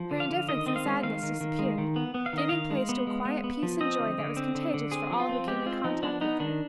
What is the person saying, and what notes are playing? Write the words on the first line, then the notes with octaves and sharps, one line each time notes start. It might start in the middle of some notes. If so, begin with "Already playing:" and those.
Her indifference and sadness disappeared, giving place to a quiet peace and joy that was contagious for all who came in contact with her.
Already playing: F3
D3
F5
D3
D#3 D#5
C4 D#5
F5
G#3
D#3 F5
D#3
D#3
G#3
D#3
B3
B3
F5
D#3 D#5
D#3 F5
G#3
B3
G#3
B3
B3
F3
C4 D#5
D3
D3
C4
D3
D3
C4 G#4
F3
F4
C4
G#3 G4
C4 F4
F3 D#4
B3 D4
B3 D#4
D#3 D4